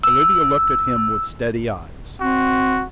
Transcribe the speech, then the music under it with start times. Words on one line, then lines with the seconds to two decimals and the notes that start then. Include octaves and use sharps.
Olivia looked at him with steady eyes.
0.03 E6
2.21 C4 F#4